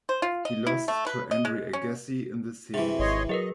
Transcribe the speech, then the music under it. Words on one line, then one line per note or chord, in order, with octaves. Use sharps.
He lost to Andre Agassi in the semis.
C5
F4
D#5
E4
A3
B4
D#5
G#3
C#4
C3 E3 G#4
G#1 C#5 D#5 C6
F#3 G#4 A#4 B4 D#5